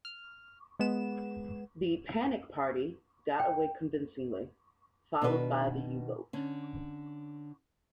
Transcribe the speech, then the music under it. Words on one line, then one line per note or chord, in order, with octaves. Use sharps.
The 'Panic party' got away convincingly, followed by the U-boat.
F6
G#3 B3 E7
G5
B2 D#3 D4 F#4 A4 B4
D3 C#4